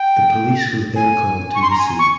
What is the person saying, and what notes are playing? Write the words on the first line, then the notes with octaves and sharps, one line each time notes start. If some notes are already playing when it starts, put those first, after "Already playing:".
The police was then called to the scene.
Already playing: G5
G#5
C#6
C6
A#5
G#5
C#6